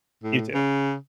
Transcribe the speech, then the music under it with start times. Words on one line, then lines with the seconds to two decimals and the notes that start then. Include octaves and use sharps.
You too.
0.23 A2
0.54 C#3